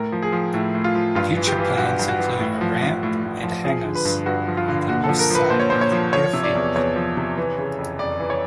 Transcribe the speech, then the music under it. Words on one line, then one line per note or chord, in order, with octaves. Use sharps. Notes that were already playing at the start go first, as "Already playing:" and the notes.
Future plans include a ramp and hangars on the north side of the airfield.
Already playing: A2 A#4
F3
G#4
F3
A2 E4
A2
F4
F3
G2 F4
E3
G4
E3
G2 F#4
G2
F#4
E3
A2
F3
F3
A2
A2
F3
F3 G#4
D3
B4
G2
G2 F#4
F3
F4
D3
A#2 F#4
A4
F3
A#4
F3 B4
A#2 C5
C#5
A#2 C5
C#5
F3
F3 C#5
C3
D5
E2
E2 C#5
F3
C3
E3
C#3
F2
F2 D5
E3
C#5